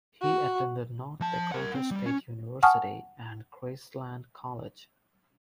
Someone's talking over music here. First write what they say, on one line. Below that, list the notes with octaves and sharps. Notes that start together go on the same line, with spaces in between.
He attended North Dakota State University and Graceland College.
F#4
F3 A5
A#4 F#5
C4
G3
C#4
F#5 G#5 A5 C#6 D#6 F6